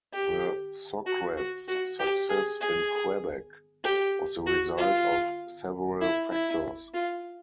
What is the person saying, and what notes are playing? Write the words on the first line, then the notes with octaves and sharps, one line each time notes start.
The Socreds' success in Quebec was the result of several factors.
G4
F#4
F#4
F#4
G4
G#4
G#4
G4
F#4
F4
E4
E4
F4